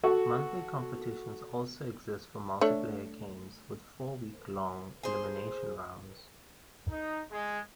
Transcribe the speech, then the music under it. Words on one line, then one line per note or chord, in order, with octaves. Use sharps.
Monthly competitions also exist for multiplayer games with four week-long elimination rounds.
F#4 A4
A3 D4 C#5
G#4 C5
D#4
G#3